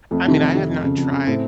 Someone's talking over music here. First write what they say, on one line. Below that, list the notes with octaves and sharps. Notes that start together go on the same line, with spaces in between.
I mean, I have not tried
F2 A3
C3 D#3
F2
C3 D#3
F2
C#3
F2
C#3
A2 C4